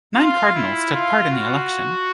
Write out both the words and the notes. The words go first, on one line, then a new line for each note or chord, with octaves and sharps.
Nine cardinals took part in the election.
F4
E4
F4
F#4